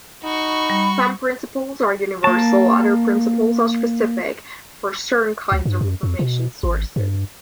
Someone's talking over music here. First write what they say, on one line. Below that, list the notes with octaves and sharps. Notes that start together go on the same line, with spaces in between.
Some principles are universal, other principles are specific for certain kinds of information sources.
D#4 F#4 B5 C#6
G3
A#3 A5
C#2
G2
F#2
F2
B2
G#1
G2